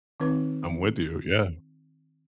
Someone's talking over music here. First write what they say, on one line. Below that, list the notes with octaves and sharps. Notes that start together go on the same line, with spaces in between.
I'm with you, yeah.
D#3 C4 D#4 B4